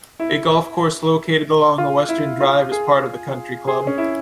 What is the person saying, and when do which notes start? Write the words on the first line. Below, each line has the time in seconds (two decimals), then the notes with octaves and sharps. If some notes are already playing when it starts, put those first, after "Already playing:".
A golf course located along the western drive is part of the country club.
0.20 E4
1.78 F4
2.09 E4
2.41 F4
2.72 G#4
3.67 G#4
3.87 C#4
3.98 E4